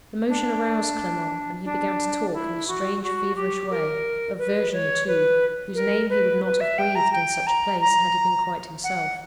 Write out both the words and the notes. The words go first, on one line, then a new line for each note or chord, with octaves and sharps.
The motion aroused Clement, and he began to talk in a strange, feverish way, of Virginie, too,--whose name he would not have breathed in such a place had he been quite himself.
D4
D4
E4
F#4
F#4
G4
A#4
B4
C#5
B4
A#4
B4
B4
E5
G5
A#5
G5
A#5
A#5
F#5